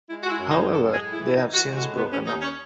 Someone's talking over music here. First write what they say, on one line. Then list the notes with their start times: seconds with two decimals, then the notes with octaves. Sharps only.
However, they have since broken up.
0.08 G#3 E4
0.24 G#3 F#4
0.30 E4
0.40 F#2
0.50 D#4
0.56 F#2
0.71 A2 A4
0.86 G#3
0.92 G#4
1.02 A2
1.12 E4
1.18 E3
1.23 E4
1.34 E3 D#4
1.49 E3 F#4
1.64 G#3
1.75 F#4
1.80 A2
1.96 D#2 B3
2.11 D#2 C#4
2.26 D#2 D#4
2.42 C#4